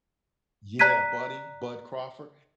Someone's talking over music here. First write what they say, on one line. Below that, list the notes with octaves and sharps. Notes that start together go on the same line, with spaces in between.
Yeah, Buddy Bud Crawford.
D5 A#5 F#6 G#6 B6 D#7